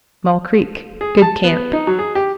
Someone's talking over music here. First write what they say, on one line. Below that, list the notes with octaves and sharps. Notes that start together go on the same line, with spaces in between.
Small Creek.--Good camp.
G#4
A5
B3
D#4
F#3
G#4
G4